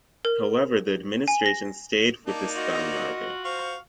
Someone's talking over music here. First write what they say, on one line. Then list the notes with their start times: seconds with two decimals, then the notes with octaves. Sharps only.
However the administration stayed with the Stammlager.
0.25 A#4
1.28 G#5
1.46 A#6
2.27 A#3 D#4 D5 A5
2.55 F4 F#4 D#5
3.45 C5 F5 C#6